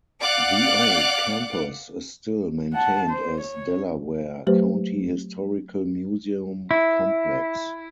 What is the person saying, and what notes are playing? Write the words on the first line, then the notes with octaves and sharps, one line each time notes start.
The old campus is still maintained as Delaware County Historical Museum Complex.
D5 F5 F#5 D6 F#6
F#5 A5
C5
C#5
F#3 A3 G4 B4 C5
E4